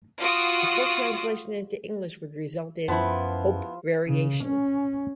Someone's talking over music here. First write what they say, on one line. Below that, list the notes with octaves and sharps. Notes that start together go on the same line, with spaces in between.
A full translation into English would result in "hope variation".
F4 F#4 D#6 D7
F#2 F3 B3 E4
C#3
C#4